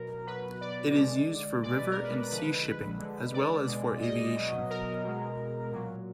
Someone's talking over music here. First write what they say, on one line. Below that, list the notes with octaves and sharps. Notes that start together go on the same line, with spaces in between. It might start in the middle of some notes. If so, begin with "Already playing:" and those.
It is used for river and sea shipping, as well as for aviation.
Already playing: B2 F#3 A#4
B2 F#3 B4
D5
D3 G#3
B2 G#3 D5
B4
A#4
B4
D3 F3 G#3 B4
B4
D3 G#3
D5
B2 G#3
D#5
B2 F#3
A#4
B2 G#3
A#2 F#3